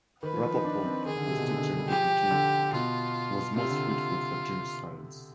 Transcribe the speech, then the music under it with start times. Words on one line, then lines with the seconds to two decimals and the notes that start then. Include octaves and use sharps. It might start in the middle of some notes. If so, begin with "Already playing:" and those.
Rapoport, whose teacher he became, was most fruitful for Jewish science.
0.23 D#3 B4
0.33 F3
0.44 F3
0.54 D#4
0.64 D4
0.85 C4
1.06 D#3 G#4
1.16 D3
1.26 C3
1.37 B2
1.48 D3
1.58 D3
1.79 G3
1.89 F3 G4
2.31 D3
2.73 B2 F4
3.56 C3 F4
3.69 D3